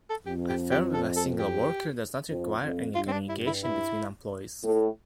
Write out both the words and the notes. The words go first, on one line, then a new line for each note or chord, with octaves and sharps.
A firm with a single worker does not require any communication between employees.
A4
F2 G4
G4
G4
A4
A4
G4
F2
F2
G2 F4
C4
D4
E4
E4
E4
A2